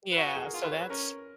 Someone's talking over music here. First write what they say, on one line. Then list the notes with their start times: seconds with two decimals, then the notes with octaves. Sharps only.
Yeah, so, that's,
0.12 B4
0.17 F#4 C#5
0.27 B4
0.36 G#4
0.44 A#4
0.54 F4 G#4
0.64 B4
0.72 C#5
0.81 B4
0.90 C#4 A#4